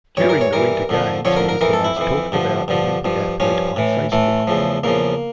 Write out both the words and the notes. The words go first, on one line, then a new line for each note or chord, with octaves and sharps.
During the winter games, he was the most talked about Olympic athlete on Facebook.
G2 E3 C#5
A#4
C#5
G2 E3 A#4
F2 D3 F3
F2 D3 F3 C#5
A#4
A#4
F2 E3 A#4
A4
E4
F2 E3
G2 D3 F3
G2 D3 F3
G2 F3
G2 F3 C#4
A2 E3
A2 E3 A3
E2 C#3 F3
E2 C#3 F3 A#3